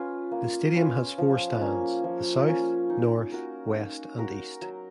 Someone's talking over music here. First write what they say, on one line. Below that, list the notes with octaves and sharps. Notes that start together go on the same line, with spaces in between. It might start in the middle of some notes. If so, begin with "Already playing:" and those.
The stadium has four stands: the south, north, west and east.
Already playing: C#4 F4 B4
A#3
C#4 F4 B4
F3
A#3 C#4
F3
A#3 C#4
D#4
F#4 A#4
D#4
F#4 A#4
F#3